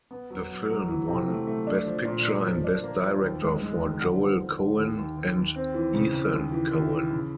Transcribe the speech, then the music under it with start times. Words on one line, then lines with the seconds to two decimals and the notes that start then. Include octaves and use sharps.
The film won Best Picture and Best Director for Joel Coen and Ethan Coen.
0.11 B3
0.30 F#3
0.50 F#3
0.70 F#3
0.88 E3
1.08 C3
1.28 A3
1.47 A3
1.67 D4
1.86 F3
2.05 A#2
2.24 A#3
2.44 F3
2.64 D4
2.83 A#3
3.02 F3
3.21 D#2
3.42 G#3
3.61 G#3
3.80 D#3
4.00 D3
4.19 F3
4.39 F3
4.57 D3
4.77 D#2
4.97 D#2
5.17 D#2
5.36 D#2
5.56 C4
5.74 E3
5.94 C#3
6.13 C#3
6.34 D#2
6.52 E3
6.71 D#2
6.91 E3
7.10 C#3